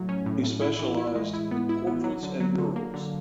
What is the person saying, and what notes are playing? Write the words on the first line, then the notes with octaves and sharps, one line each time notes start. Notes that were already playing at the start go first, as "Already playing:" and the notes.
He specialized in portraits and murals.
Already playing: A2 F#3 A3
C#4
A2
A2
E4
E3
E4
G#3
E4
B3
E4
B3
F#3
D3
F#3
D3
A#3
D3